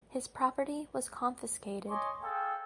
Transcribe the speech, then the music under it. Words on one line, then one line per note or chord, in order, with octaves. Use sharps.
His property was confiscated.
C#5 D#5 G#5 C6 D6
G#4 A4 F5 G5